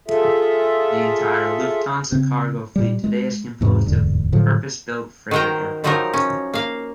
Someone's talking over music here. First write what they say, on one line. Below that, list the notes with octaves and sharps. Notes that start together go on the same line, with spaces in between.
The entire Lufthansa Cargo fleet today is composed of purpose-built freighter aircraft.
F4 G#4 A4 E5
C#3 C4
A#2 G3
G#3
E2 G#2 C3
D1 E2 G#2 D3
A2 D3 F3 F#3
D#3 F#4 A#4 C5 G5
D#3 F3 F#3 D#4 G4 A#4
C#4
A#3 F5